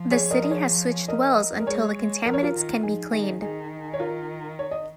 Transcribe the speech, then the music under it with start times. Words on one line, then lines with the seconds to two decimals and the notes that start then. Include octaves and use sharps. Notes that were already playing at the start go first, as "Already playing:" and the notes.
The city has switched wells until the contaminants can be cleaned.
Already playing: F3
0.11 G#4 C#5
0.31 A#4 D#5
0.43 D#5
0.50 G#4 C#5
1.08 A#4 D#5
1.59 A#4
1.66 G#3 G#4 C#5
1.96 G#3
2.26 F3 A#4
2.34 C#5
2.43 F4 A#4
2.55 D#3
2.83 F3 D#4 G#4
3.12 D#3 D#4 G#4
3.41 D#3 D#4 G#4
3.94 C#5
4.00 F4 A#4
4.59 C#5
4.71 D#5